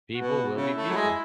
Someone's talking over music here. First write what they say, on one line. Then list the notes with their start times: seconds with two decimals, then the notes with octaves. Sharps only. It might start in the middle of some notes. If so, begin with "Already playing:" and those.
People will be people."
0.14 B2 F#4
0.56 C#3 E4
0.76 A3
0.90 F#3
0.96 G#3